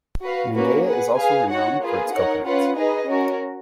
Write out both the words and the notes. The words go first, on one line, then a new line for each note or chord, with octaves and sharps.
Mangaia is also renowned for its coconuts.
F#4 B4 F5
A#3 C#4 F#4 B4
G#4 B4 F#5
G#4 B4 F5 G#5
D#4 F#4 C#5 F#5
A#3 F4 G#4 B4
D#4 A#4 C#5 F#5
C#4 F4 B4 F#5
D#4 G#4 B4 D#5
C#4 F#4 A#4